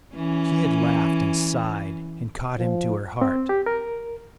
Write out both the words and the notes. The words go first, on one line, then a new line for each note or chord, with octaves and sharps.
She had laughed and sighed and caught him to her heart.
E3 C#4
F3
C4
G4
A#4